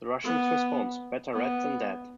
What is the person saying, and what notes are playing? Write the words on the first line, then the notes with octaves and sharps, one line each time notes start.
The Russian's response: Better red than dead.
B3
B3